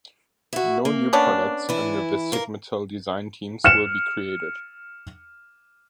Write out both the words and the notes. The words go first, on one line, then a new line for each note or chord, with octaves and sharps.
No new products under the Sigmatel design teams will be created.
E4 F#4
A#3
B3 C#4 D4
E3 E4
A#3 A#4
F6 C#7 E7